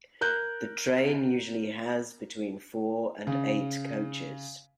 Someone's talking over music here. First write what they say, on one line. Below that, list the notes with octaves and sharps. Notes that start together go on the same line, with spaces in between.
The train usually has between four and eight coaches.
A#4 F#6 G6
C#3